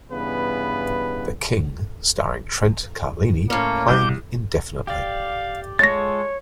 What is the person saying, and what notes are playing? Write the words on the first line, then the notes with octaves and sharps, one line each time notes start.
The King Starring Trent Carlini, playing indefinitely.
G2 C#3 E3 B3 B4
A2 A#3 C#4
C2 D6 G6
G4 D5 F5
G#3 F4 A4 C#5 A6 A#6